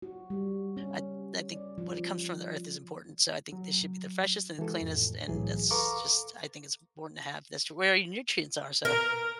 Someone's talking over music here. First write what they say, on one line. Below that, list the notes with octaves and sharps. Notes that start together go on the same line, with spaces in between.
I I think when it comes from the earth is important, so I think this should be the freshest and the cleanest, and that's just I think it's important to have this to where your nutrients are, so,
F#4
G3
C#4
D5
F3
F#3
E3 G#3 E4 F#4 A4
F2 A2
C2 A2 E3 F#3 G#4
A4 B4 F5 A#5 C#6 D6
A#4